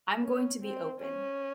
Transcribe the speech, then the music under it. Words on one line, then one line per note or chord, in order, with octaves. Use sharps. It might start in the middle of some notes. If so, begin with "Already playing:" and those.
I'm going to be open.
C#4
C4
C#4